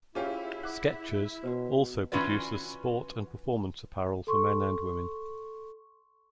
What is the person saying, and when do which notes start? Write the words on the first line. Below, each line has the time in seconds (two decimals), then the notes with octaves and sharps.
Skechers also produces sport and performance apparel for men and women.
0.15 C#4 E4 F4 G4 G#4 C#5 E5
0.63 F#5 D6 F#6
1.44 B2 F#4 B4
2.12 E3 C#4 F4 F#4 B4 D5
4.27 A4 C6 C#6